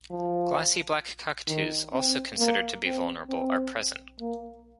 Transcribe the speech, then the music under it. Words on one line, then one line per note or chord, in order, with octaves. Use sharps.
Glossy black cockatoos, also considered to be vulnerable, are present.
F3
D#3
C4
A#3
C4
C4
A#3